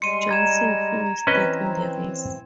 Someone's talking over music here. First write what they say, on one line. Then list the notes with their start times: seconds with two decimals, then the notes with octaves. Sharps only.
Johnson finished third in the race.
0.02 G3 G#3 C6 C#7 D#7
0.31 A#5 G#6 E7
1.27 E3 C4 C#4 B4 D#5